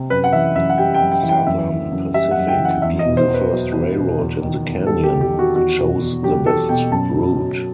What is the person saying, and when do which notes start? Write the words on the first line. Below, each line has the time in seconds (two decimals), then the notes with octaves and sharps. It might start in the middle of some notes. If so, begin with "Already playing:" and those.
Southern Pacific, being the first railroad in the canyon, chose the best route.
Already playing: C3
0.10 F#2 B4
0.24 F#5
0.33 E3 E5
0.55 F#2 E5
0.70 F#5
0.78 G3 G5
0.94 G5
1.00 F#2
1.12 G5
1.23 E3
1.29 G5
1.47 F#2 E5
1.70 E3
1.92 F#2
2.14 G3 E5
2.31 F#5
2.37 F#2
2.48 G5
2.59 E3
2.65 F#5
2.82 E2 E5
2.99 D#5
3.05 B2
3.17 C5
3.27 E2
3.34 B4
3.51 F#3
3.73 E2
3.97 B2
4.18 E2
4.42 D#3
4.65 E2
4.86 G3 A4
5.04 G4
5.10 E2
5.21 G4
5.32 D#3
5.39 F#4
5.55 E2 F#4
5.78 B2
6.00 E2
6.23 F#3 G4
6.46 E2 A4
6.69 B2 G5
6.91 F#2 A5
7.14 F#3
7.37 F#3